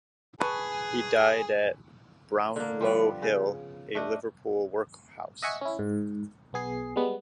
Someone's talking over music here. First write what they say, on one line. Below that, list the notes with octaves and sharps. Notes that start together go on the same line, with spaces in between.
He died at Brownlow Hill, a Liverpool workhouse.
G#4 B4 G#5 A5 C#6
D3 A#3
F3 G3 B3
C#3
A3 D4 D#5
D#5 E5 F#5 G#5 C#6
C#4 E4
G#2
B1 B3 G#4 C7
G3 G#3 B3